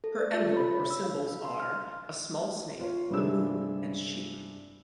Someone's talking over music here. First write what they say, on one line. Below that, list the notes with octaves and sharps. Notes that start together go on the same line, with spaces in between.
Her emblem or symbols are, a small snake, the moon and sheep.
A4
D5
F4
B5
C#5
E6
F5
F5
C6
F6
F4 B4 C#5 F5
G2 C3 G3 G#3 D4 E6